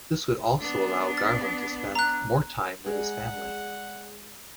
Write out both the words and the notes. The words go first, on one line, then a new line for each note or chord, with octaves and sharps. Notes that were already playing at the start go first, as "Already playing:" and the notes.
This would also allow Garland to spend more time with his family.
B3 D4
A6
A#5 F#6
G#3 G#4 D5 F#5 A#5